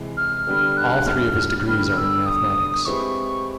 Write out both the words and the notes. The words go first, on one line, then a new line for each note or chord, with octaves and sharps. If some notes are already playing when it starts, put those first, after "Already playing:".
All three of his degrees are in mathematics.
Already playing: C3 E3 G#3
F6
D3 G3 B3 D4 G4
F#6
F6
D3 G3 B3 D4
E6
D#6
G#3 C4 E4 G4 B4 C#6